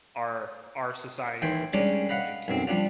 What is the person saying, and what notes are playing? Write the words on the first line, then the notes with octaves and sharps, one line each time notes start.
our our society in particular like,
D#2 E3 G5 C6
G3 G#3 C#4 D4
B4 D#5 F5 F#5
B1 F#2 C4
F3 G3 D4 F4